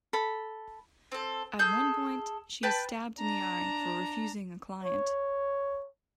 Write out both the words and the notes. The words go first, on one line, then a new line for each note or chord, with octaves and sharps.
At one point, she is stabbed in the eye for refusing a client.
A4 B5
C4 A4
G#4 A4 G6
B4 G5 A5
D4 A#5
C#5